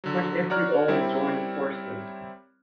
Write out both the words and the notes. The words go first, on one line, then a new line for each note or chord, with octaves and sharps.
What if we all joined forces?
D3 F#3
F#4 C#5 D5 A#5 F6 F#6
G3 C4 E4 A#4 C#5